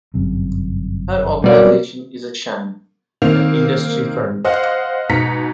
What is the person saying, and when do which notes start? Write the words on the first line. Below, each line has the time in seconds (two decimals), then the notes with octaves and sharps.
Her organization is a sham, an industry front.
0.14 G1 F#2 C3
1.44 B2 F#3 G3 A#3 D5
3.22 D#3 A#3 C4 F7
4.45 C5 D#5 F5 F#5
5.09 G#2 B2 A#5 B6 C#7